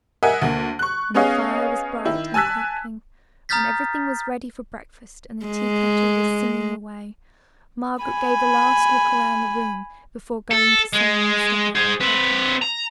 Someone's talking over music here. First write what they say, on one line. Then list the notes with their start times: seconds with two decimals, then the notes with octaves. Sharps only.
When the fire was bright and crackling--when everything was ready for breakfast, and the tea-kettle was singing away, Margaret gave a last look round the room before going to summon Mr. Hale and Frederick.
0.23 A#4 D#5 E5 F#5 G#5
0.42 D2 A#3
0.79 C#6 F#6
1.14 B3 C#4 G#4 C#5 D#5 F5
2.05 D#3 E4
2.34 G#5 A5 E6 F#6 B6
3.49 A#5 D#6 F6 G6 A6 B6
5.46 G#3
8.03 G#5 B5
10.51 A4
10.93 G#3
11.75 G#4 C5
12.01 C4 B4
12.62 A#5